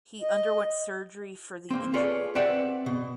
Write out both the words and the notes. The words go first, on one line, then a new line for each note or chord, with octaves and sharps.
He underwent surgery for the injury.
D#5
A#3 C4
F4 G#4 A4 B4 C#5 D5
C4 G4 B4 D5 E5 F#5
B2